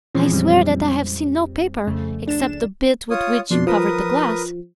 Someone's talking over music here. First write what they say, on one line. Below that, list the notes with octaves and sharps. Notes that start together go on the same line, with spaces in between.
"I swear that I have seen no paper except the bit with which you covered the glass."
A#2 E3 F3 G#3 C4 C#4
F2 G3 C4
F2 C#3 A3
C#2 D4 E7
F4 C#5 D#6
F2 B2 D4 C6
F3 A#4 B4 D#6